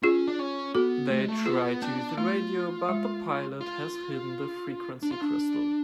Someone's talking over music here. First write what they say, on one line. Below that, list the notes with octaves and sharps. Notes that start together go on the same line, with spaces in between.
They try to use the radio, but the pilot has hidden the frequency crystal.
C#4 F4 G#4
D4
C#4
B3 F#4 A4
A3
G#3
A3
B3 F4 G#4
B3 D4
A3 F4
G#3
F4
D4
F4
D4